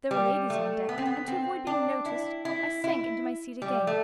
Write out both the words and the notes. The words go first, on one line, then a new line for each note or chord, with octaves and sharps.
There were ladies on deck, and to avoid being noticed I sank into my seat again.
G3
A3
B3
C4
B3
C4
D4
E4
E4
E4
G3
A3